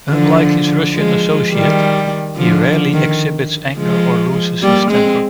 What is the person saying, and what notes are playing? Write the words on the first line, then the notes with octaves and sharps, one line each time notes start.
Unlike his Russian associate, he rarely exhibits anger or loses his temper.
D3 F3
F3 G#3
D#3 G3
D3 F3
D#3
F3 G#3
G3 A#3
G#3 C4